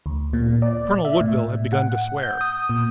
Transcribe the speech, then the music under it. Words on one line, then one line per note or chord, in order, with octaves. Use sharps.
Colonel Woodville had begun to swear.
D2
A#2
D5
E5
A2
F#5
G6
D#6
A#2